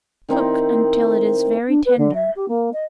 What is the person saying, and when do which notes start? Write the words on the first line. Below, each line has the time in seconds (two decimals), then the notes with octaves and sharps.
Cook until it is very tender.
0.29 D#3 C4 D#4 E4
1.67 D4
1.85 B4
1.97 D3
2.14 E5
2.36 G4
2.48 A#3
2.73 D#5